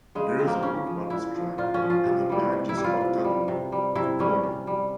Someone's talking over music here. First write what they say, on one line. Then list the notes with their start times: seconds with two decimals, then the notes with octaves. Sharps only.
There is a roof balustrade and a largish, octagonal cupola.
0.15 C#3 G#3
0.39 F3 C4
0.47 A#3
0.55 C4
0.63 C#3 C#4
0.87 F3
1.10 A#2 E4
1.34 F3
1.58 A#2 F4
1.74 C#4
1.82 F3
1.90 F4
2.06 C3
2.29 E3 G3
2.53 C3
2.69 E4
2.77 E3 G3
2.84 F4
3.01 C3
3.24 G3
3.48 C3
3.72 G3
3.95 C3 E4
4.20 G3 C#4
4.43 C3
4.67 G3